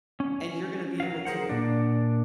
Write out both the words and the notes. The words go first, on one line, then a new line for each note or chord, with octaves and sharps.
and you're gonna be able to
C#4
F#3 F5
G#4 A#4 C5 F#5
A#2 D4